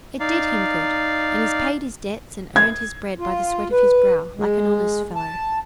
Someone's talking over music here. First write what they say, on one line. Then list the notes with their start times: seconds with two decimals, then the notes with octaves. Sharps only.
It did him good, and he's paid his debts and earned his bread by the sweat of his brow, like an honest fellow.'
0.20 D#4 D5 F5
2.56 G#6
3.19 F4
3.72 B4
4.37 G#3
5.15 A5